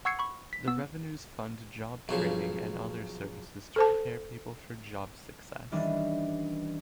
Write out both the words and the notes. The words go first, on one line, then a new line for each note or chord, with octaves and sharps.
The revenues fund job training and other services to prepare people for job success.
F#5 C#6 E6 G#6 C7 C#7
B5 C#6
B6
B3 E6
B1 C#3 F3
A4 C5 A5
D#3 E3 G3 C#4 D4